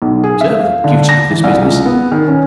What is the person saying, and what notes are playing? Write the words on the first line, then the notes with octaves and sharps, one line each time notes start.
Observe the beauty of this business.
B1
G#4
E5
F5
D3
A#6
E3
C2
C#2
B3
D#3
C#4